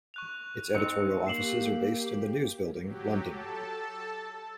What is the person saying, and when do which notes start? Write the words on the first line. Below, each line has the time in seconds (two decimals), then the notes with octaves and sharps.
Its editorial offices are based in The News Building, London.
0.14 C#6 F#6 F7
0.74 C4 D#4 C#7
1.27 A#3 G4 C7 E7 F#7
2.81 F#3 G4
3.29 A4 A5